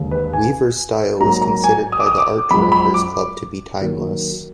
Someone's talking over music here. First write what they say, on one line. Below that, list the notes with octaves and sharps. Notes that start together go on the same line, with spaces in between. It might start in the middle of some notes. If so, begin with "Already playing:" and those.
Weaver's style was considered by the Art Directors Club to be "timeless".
Already playing: D#2 D3 G#3
B4
G#5
G#2 F#3 A#3 A#5
A#5
G#5
D#6
D6
D#6
D6
F#2 F3 G#3 B5
B5
D6
D#3 F#3 A#3